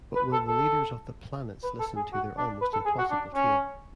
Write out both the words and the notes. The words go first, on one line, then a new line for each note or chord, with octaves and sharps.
But will the leaders of the planets listen to their almost impossible tale?
B4
A4
A4
B4
A4
G#4
F#4
D4
B4
A4
G#4
F#4
D4
C#4